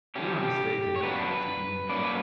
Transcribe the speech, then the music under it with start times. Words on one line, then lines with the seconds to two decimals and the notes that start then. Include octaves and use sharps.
"You are mistaken," she began.
0.15 E2 D3 G3 C#4 G4
0.96 C#5
1.03 C#3 F#3 B3 D4 B4
1.89 G2 F#3 A#3 C#4 D5
2.04 B4